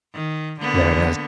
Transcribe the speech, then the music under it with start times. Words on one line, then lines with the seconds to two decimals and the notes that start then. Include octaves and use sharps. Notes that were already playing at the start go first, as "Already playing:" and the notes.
There it is.
0.14 D#3
0.61 D3 A#3 B3